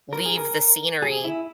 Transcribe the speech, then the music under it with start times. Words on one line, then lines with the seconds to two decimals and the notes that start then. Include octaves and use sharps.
leave the scenery
0.13 A#4
0.26 G#4
0.38 A#4
1.02 G#4
1.24 E4